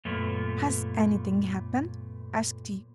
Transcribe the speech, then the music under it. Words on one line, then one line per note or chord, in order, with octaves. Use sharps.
'Has anything happened?' asked he.
F#2 A#2 A3 B3